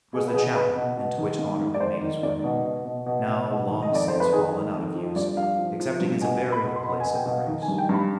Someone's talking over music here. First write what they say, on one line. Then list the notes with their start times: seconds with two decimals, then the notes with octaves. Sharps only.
It was the chapel into which Otto had made his way, now long since fallen out of use excepting as a burial place of the race.
0.13 B2 G#4
0.28 B4
0.34 B2 G#4
0.55 B2 B4
0.76 B2
0.97 B2
1.18 D#3
1.39 G#2
1.60 G#2
1.74 D5
1.80 D#3 C5
2.02 D#3
2.23 G#2 D5
2.44 B2
2.65 B2
2.85 B2
3.06 B2
3.28 B2
3.49 B2
3.69 D#3
3.82 D#5
3.90 F2 D5
4.08 F2 C5
4.20 B4
4.32 D#3 G#4
4.53 D#3
4.74 F2
4.95 F3
5.16 G2 D5
5.37 G2 F5
5.58 F3
5.79 F3
6.00 G2
6.21 B2 G#5
6.42 B2
6.52 B5
6.63 B2
6.76 C6
6.83 B2 B5
7.00 G#5
7.05 B2
7.15 G5
7.25 B2
7.31 F5
7.47 D#3
7.62 G#5
7.68 G2
7.78 G5
7.89 G2 B5